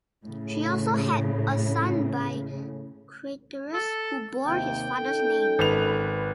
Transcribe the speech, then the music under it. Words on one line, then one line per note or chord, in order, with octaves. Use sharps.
She also had a son by Craterus, who bore his father's name.
A2 C#3
A4
D#2 C3 G5
C#4 D#4 A4
G#1 B4 F7